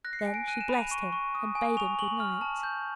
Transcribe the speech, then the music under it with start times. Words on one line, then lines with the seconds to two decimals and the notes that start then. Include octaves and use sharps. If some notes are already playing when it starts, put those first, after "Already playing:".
Then she blessed him, and bade him good-night.
0.05 F#6 A#6
0.13 C7
0.19 C#7
0.26 G#5
0.34 D7
0.48 F#6 D#7
0.61 E7
0.69 B5 D#7
0.90 C#6 D#7
1.12 C#6
1.35 D#6
1.55 G#5
1.77 C#6 F7
1.99 C#6 F#7
2.20 F6
2.41 A5
2.63 G6